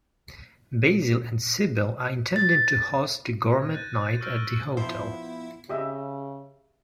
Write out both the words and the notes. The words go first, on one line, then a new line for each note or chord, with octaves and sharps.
Basil and Sybil are intending to host a gourmet night at the hotel.
A6
G#6 A#6
F#6 G6 A6 D#7
C#6 E6 F6 G6 A#6 D7
F3 B3 E4 C5
C#3 G4 D#5 E5